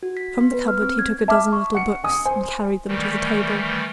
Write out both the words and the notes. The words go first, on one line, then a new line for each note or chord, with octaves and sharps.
From the cupboard he took a dozen little books and carried them to the table.
F#4
B6
B3
B4
F6
C4
G#6
E5 A5 D6 F6
C#6
F#5 C#7
G#5 D#6
C5 G#5
D#3 E3 G3 A3